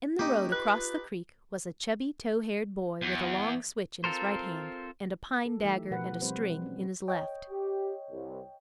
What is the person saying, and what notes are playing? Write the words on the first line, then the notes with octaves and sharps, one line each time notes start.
In the road across the creek was a chubby, tow-haired boy with a long switch in his right hand, and a pine dagger and a string in his left.
A#3 C#4 D#4 G4
F4 B4 F#6
E2
C4 F4 A4 A#4 C5
A4
E3 A3 D#4 G4 E5
B2 F3 F#4 A#4 B4 F#5
G3 C4 G4 B4 C5
C4 C#4
C#5 D#5 G5
G4
C2